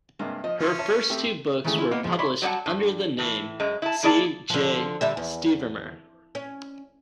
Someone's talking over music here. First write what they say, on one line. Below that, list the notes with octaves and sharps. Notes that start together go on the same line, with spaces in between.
Her first two books were published under the name C. J. Stevermer.
G2 C3 G#3 A#3
F3 D#5
E3 C#4 F4
C#5 E5 A5
A3 C4 G4
D#3 E3 G#3 A3 C#4
E4 F4
A#3 B3 D#4
F3 G#3
C#5 D5 E5 B5 C6
F#3 G3 C#5 F#5 A5
G2
A2 E3
F#2 G#3
E4 A5
A#3 E4 G#4 D5 A5
D3 F3
D3 G3 E5
E2
C#4